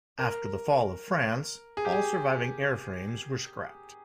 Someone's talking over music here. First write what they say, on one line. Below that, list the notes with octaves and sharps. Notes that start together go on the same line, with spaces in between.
After the fall of France, all surviving airframes were scrapped.
A#4
G#4
G4
G#4